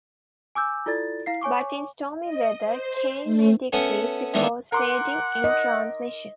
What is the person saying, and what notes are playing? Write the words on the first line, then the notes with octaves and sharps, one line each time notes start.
But in stormy weather, "k" may decrease to cause fading in transmission.
G#5 D6 E6 G6
E4 F4 A4 D5 A6
E4 F5 C7
C#5 G#5 C#6 D6
D#5
C5
A3
A3 B3 C#4 F#5
D#3 E3 A3 B3 D4
A#4 F#5 C6 D6
D#5